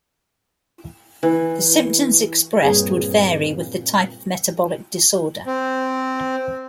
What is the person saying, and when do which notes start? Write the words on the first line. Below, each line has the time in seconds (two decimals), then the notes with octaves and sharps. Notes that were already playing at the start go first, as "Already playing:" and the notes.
The symptoms expressed would vary with the type of metabolic disorder.
1.23 E3
2.62 G2 A#2 C4 G#4 C#5
5.46 C4